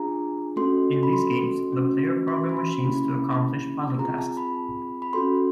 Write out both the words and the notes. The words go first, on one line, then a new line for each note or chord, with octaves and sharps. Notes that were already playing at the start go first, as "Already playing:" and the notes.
In these games the player program machines to accomplish puzzle tasks.
Already playing: D4 F4 G#4 A#5
A3 C#4 F#4 A4 C6
B5
C6
A3 C#4 F#4
C6
B5
C6
A#3 C#4 E4 G4 B5
C4 F4 G#4 A#5
A5
B5
B5
C#4 F#4 A4 C6